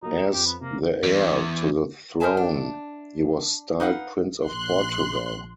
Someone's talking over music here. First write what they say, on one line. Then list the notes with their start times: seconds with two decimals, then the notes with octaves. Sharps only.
As the heir to the throne he was styled Prince of Portugal.
0.03 F#3 A#3 D#4
0.18 E7
0.33 F2 G4
0.46 B3
0.61 C3 A#3
1.03 E2
2.20 A#4 C5 D#5 E5 G#5 A5
2.37 D4
3.80 D#4 B4 F5 F#5
4.45 A#1 C6 F#6